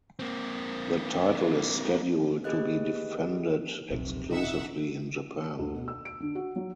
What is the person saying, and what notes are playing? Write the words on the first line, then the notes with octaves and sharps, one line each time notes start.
The title is scheduled to be defended exclusively in Japan.
A#3 C4
A#3 G4 G#4 B4 D#5 F#6
D#1 B1 F2 C3
D#4 E5 F#5
D2
B2
E6
D7
D3
F#4
F#3